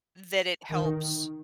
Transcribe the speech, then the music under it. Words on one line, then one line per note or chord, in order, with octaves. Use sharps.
that it helps
D#3